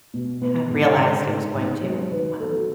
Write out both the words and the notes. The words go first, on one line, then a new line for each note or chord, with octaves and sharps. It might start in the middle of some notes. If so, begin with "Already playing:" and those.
had realized it was going to, um
B2
B3
G#2
G#2
G#2
G#2
F#3
D#3 B4
B3 A4
F#4